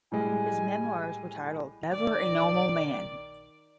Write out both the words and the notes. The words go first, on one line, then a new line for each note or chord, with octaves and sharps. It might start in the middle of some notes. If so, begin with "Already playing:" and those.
His memoirs were titled "Never a Normal Man".
A2 G3 G#3 G#5
D#3 D5